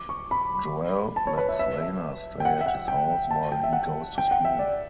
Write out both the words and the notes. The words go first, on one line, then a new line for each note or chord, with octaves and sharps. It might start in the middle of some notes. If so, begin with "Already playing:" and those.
Joel lets Lana stay at his house while he goes to school.
Already playing: D6
C#6
B5
A5
C#5
B4
E5
E5
E5
G5
F#5
E5
F#5
G5
A5
G5
E5
F#5
G5
F#5
E5
D5